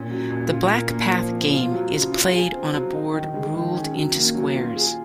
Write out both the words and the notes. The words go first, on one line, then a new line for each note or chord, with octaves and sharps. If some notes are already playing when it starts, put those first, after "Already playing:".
The Black Path Game is played on a board ruled into squares.
Already playing: A#2 C#4
F#3
A#2
F4
A#4
A#3
F3
C4
F4
F#3
C#3
F4
G#4
C4
F#3
D#4
D#3
G#3
D#3
C#4
F#3
A#3
F#3
F4
G#4